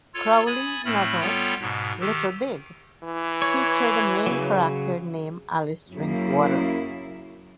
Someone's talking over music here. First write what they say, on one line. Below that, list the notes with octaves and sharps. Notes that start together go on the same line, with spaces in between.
Crowley's novel "Little, Big" featured a main character named Alice Drinkwater.
F4 A4 C#5
G#5 B5 D#6 G#6 A6
A2 A3 C4 B5 F6
G3 B3 F4 A4 C#5 G5
G#2 B2
D#3 G4 E6
E3
C#5
C#3 F#3
F#2 C#3 A#3 E4